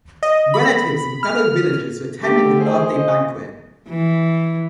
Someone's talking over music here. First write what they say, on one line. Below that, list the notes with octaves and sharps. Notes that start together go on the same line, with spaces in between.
Relatives and fellow villagers attended the birthday banquet.
D#5
B5
F6
D3 A3 G4
G#4 C5
D#5
E3